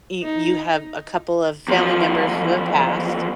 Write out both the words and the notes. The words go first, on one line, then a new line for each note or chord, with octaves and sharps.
you you have a couple of family members who have passed,
D#4
E2 F3